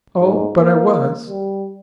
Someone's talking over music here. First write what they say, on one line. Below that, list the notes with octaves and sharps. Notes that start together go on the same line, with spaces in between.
"Oh, but I was."
G#2
A#3
G3